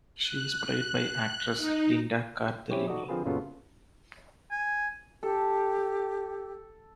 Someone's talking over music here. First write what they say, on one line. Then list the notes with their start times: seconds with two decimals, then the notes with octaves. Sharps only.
She is played by actress Linda Cardellini.
0.23 F#6
1.56 D#4
2.70 C4 C#4 E4 G4 C#5
2.87 D#4 F#4 A4 D5 D#5
3.08 D3 F3 C4 F4 G#4 B4
3.26 F#2 A#2 C#3 B3 F4 A4
4.51 G#5
5.23 G4 A4